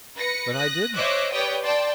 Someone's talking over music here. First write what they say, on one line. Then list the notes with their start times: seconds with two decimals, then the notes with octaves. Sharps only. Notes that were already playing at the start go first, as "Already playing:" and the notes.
"But I didn't."
0.15 B4 A#6 C#7
0.53 D#6 F#6 A#6
0.93 C5 C#5 D#5 E5 D6 F#6
1.31 G4 B4 C#5 D5 G5 D#6
1.64 D5 G5 A5 C6